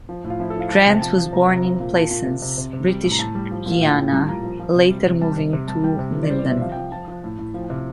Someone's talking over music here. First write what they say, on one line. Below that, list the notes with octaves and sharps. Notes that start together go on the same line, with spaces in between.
Grant was born in Plaisance, British Guiana, later moving to Linden.
F3
A2
F4
F3 E4
A4
F3 F5
F3 A5
G5
C3
A5
F3 A5
F3
C3 A#5
C3
A#5
F3
A#2
A#2 A5
A#2
C3
C3
C3
C3
G3
A2
A#5
A2 A5
G3
F3
A#2
F5
A2 G5
A2
G3 A5
A#2 A#5
F3
F3
C3
G3
C3
G3 A5
C3
C3
G3 A5
G3 G5
C3
E3
D5
G3 C5
D5
C3 E5
E5
F3 F5
G5
F3
F3 A5
F3
A2
A2
F3
C3